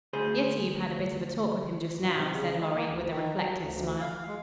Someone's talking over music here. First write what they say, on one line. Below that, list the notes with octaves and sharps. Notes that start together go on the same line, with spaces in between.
"Yetive had a bit of a talk with him just now," said Lorry, with a reflective smile.
D2 G#4 C5
G2
C3
C#3
G#3
A#3
D2
D#3
F#3
D2
D2
F5
G#3